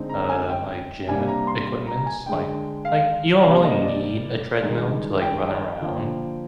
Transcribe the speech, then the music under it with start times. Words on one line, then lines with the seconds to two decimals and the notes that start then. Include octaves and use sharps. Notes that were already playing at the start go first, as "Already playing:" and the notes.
uh, like, gym e equipments? Like like, you don't really need a treadmill to, like, run around.
Already playing: D3 G#3 C4 D#4
0.09 A#5
0.29 G#5
0.49 G5
1.07 C3 G3 A#3 D4 G#5
1.28 A#5
1.47 C6
1.87 A#5
2.06 G#5
2.26 D3 G#3 D4 G5
2.85 F5
3.44 C3 G3 A#3 D4 F5
3.64 D#5
3.83 D5
4.62 G2 D#3 G#3 D#4
5.22 G5
5.81 D3 F3 A#3